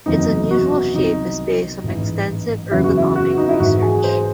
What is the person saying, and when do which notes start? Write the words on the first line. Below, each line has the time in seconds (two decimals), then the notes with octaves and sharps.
Its unusual shape is based on extensive ergonomic research.
0.06 F#1 E2 C3 F#3 D#4
0.51 F#4
0.94 C2 C3 F#3 D#4
1.83 A1 G#2 E3
2.71 F#1 E2 C#3 F#3 E4
2.84 F#4
2.97 E4
3.16 F#4
3.38 D#4
3.49 E4
3.60 G#1 G#2 E3 F#4
3.82 G#4
4.04 C5